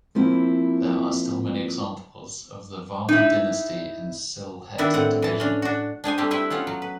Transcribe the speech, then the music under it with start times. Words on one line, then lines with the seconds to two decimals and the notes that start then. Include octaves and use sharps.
There are still many examples of the Varman dynasty in Sylhet division.
0.15 F3 A#3 C4 E4
3.09 D#4 E4
4.78 B2 D#3 D4 E4 E5
4.94 A2 C4 F#5
5.22 E3 A5
5.40 C#4 D4
5.62 D4 F#4
6.04 D4 G#4 C5 G#5
6.18 G3 A3 C4 D4 G4
6.31 C4 E4 B4 E5 G5
6.50 B3 C#4 F4 F#5
6.67 F#3
6.82 B4